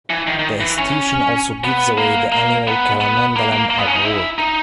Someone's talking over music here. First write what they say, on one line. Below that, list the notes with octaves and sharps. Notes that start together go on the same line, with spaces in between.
The institution also gives away the annual Kalamandalam award.
E3
D#3
D#3
E3
C#4
B3
A#3
A#3
B3
B3
A#3
A#3
A#3
B3
C#4
D#4
E4
D#4